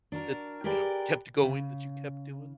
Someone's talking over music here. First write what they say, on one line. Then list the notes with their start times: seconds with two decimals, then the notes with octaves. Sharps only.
that, you know, kept going that you kept doing?
0.12 D4 F#4 A#4
0.64 G4 G#4 A#4 B4 D5 G5
1.42 C#3